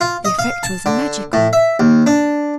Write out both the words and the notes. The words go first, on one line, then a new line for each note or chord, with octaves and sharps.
The effect was magical.
F4
D#5
F5
A5
D3
A2
E5
D#2
D4